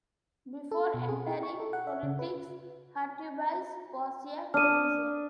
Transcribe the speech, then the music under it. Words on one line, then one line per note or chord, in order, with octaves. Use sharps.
Before entering politics, Hurtubise was a physician.
A4
B2
G#4
E4
C#6
A4
F#5
E5
C#3
B4
D4 D#6 F6 D#7